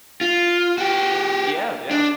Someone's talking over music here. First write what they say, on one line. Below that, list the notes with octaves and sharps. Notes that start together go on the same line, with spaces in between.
Yeah, yeah.
F4
F#4 G4
D4